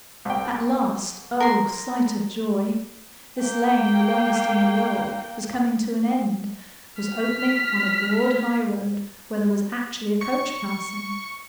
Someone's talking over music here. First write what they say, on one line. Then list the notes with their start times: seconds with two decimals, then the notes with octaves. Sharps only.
At last--oh, sight of joy!--this lane, the longest in the world, was coming to an end, was opening on a broad highroad, where there was actually a coach passing!
0.25 C2 G5
1.40 A#4 C6
3.39 A#3 G5
7.02 F6 B6
10.21 C#6